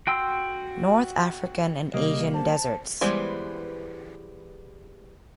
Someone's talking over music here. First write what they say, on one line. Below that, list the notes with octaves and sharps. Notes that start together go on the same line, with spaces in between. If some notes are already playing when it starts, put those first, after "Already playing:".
North-African and Asian deserts.
F#4 G5 C6 E6
C3 G3 A#3 D#5
C5 A5
E3 G3 G#3 B3 C5